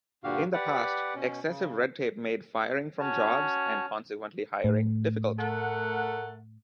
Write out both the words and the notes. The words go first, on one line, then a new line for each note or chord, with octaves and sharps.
In the past, excessive red tape made firing from jobs, and consequently hiring, difficult.
G2 A#2 D3 F#4 G4 F5
G4 B4 D5 F#5
B2 C#4
C#3
C#4 F#4 A5
A2
A3 A#4 F#5